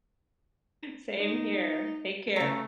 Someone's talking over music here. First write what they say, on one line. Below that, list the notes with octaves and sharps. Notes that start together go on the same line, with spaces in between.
Same here. Take care.
D#4
C#3 A3 A#5